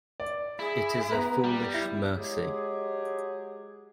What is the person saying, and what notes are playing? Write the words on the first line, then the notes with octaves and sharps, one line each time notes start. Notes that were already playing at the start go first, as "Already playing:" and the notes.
It is a foolish mercy.
D5
E4 G#4
B3 B4 A#5
G3
E4
F#3 G#3 G4 G#4